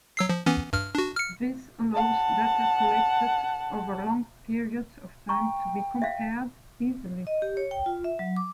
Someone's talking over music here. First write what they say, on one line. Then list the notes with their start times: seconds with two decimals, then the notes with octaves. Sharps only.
This allows data collected over long periods of time to be compared easily.
0.17 F#3 E6 C7
0.29 F3
0.46 E3 B3 C#4
0.73 G2 F6
0.95 D4 F#4
1.16 F6 C#7
1.94 F#5 A5
5.29 G5 A#5 C#6
6.02 E5 F5
7.27 D#5
7.42 G4
7.57 C#5
7.71 G5
7.86 F4
8.04 E5
8.19 F#3
8.37 D6